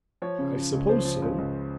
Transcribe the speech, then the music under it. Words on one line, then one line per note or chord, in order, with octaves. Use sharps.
I suppose so.
F3 C#5
C#3
F3
C#2
F3 C5
F3
C#2
C#2